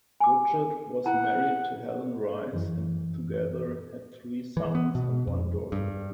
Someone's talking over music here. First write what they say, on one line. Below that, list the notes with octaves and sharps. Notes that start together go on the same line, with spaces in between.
Richards was married to Helen Rice and together had three sons and one daughter.
G#5 D6
E4 F#5 A5
F#2 E3
E3
B3
B2
F2
G2